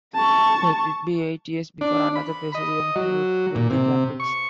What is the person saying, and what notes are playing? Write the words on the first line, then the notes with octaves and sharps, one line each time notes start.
It would be eight years before another Brazilian would win the Grand Prix.
A5 C#6
D4
B5
D#5
F#3
A#2
C3
C#6